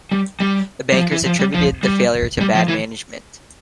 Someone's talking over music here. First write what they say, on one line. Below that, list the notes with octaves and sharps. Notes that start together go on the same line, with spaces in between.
The bankers attributed the failure to bad management.
G3
G3
G3
F3
E3
F3
G3
F3
G3
G3
F3
E3